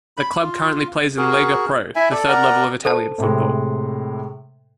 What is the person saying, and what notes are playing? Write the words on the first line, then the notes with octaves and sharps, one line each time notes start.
The club currently plays in Lega Pro, the third level of Italian football.
B5
F4
F#4 G#4 A#4
E4 E5 G#5
A4 D5
A#4 D5 F#5 A#5
A4 C5 A5
A2 C3 G#3